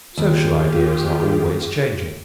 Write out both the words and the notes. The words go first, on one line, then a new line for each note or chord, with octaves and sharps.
Social ideas are always changing.
D#2 F4 G4 G#4